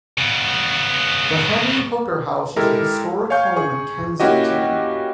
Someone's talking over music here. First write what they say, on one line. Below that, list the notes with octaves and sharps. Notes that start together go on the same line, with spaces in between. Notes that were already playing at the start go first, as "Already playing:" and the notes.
The Henry Hooker House is a historic home in Kensington.
C#3 B3
G#3 E4 G4 A4 A#4
C#5 F5 G#5 C#6 G6
G#4 G#5 C#6
A#3 C#4 E4 F#4 G4 D#5